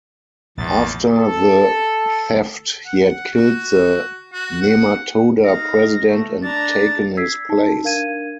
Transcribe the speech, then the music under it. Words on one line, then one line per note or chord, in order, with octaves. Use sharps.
After the theft, he had killed the Nematoda president and taken his place.
A#1 E2 G#2 A6
A4
F#5
F#4
F#4
F#5
D#4 F5 A#6
A3
D4 A#5 A6
E6 G#6 B6 C7
D#4 A5
D4 A#4 F5 G#6 D#7